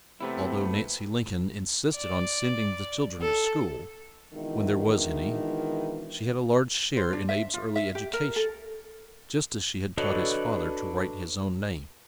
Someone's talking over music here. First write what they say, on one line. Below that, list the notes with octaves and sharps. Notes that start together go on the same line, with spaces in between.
Although Nancy Lincoln insisted on sending the children to school, when there was any, she had a large share in Abe's early education, just as she had taught his father to write his own name.
C3 A3 B3 E4
D5
A4
B2 D#3 E3 G#3 D4 E4
C5
D4
E5
F4
E5
G4
A#4
A4
D4 F#4 A4 B4 C#5 D#5